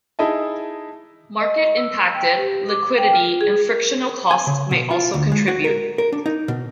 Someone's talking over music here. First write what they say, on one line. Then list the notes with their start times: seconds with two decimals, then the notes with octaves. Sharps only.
Market-impacted, liquidity, and frictional costs may also contribute.
0.19 D#4 E4 G#4 D#5 E5 A5
1.41 D#5
1.77 E6
2.14 G5
2.36 G4
2.69 D6
2.98 G5
3.13 F4
3.41 G#4
3.68 A#4
4.31 G#5
4.47 C#3
4.71 B2
4.91 F4
5.14 D2
5.32 G#3
5.48 F#4
5.64 A#4
5.98 A#4
6.12 D4
6.26 D#4
6.48 B2